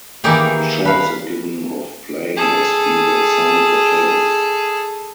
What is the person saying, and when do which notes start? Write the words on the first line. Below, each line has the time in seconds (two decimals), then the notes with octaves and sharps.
The choice is given of playing as either Sonic or Tails.
0.24 D#3 E3 A#3 D#4 G4 G#4
0.85 B4 F5
2.37 G#4 A4